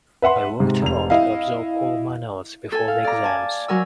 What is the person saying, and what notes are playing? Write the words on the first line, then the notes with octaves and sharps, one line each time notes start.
I worked hard to absorb all of my notes before the exams.
B4 E5 F#5 C6
G#2 C3
F1 F7
E4 D#5 F5
A4 G#5
F5
D5 A#5
G#5 A5
F#3 A#4 G#5 E6